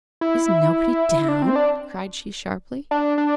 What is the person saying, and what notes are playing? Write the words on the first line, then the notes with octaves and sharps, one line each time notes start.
"Is nobody down?" cried she, sharply.
E4
D4
C4
D4
D4
D4